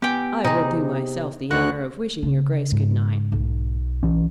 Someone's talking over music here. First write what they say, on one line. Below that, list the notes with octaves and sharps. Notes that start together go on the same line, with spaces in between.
I will do myself the honour of wishing your Grace good-night.
B3 G4 G5 G#5
C3 D#4 G#4
D2 D3 F#4 F#6
C#3
G#2
B1
E3 C#4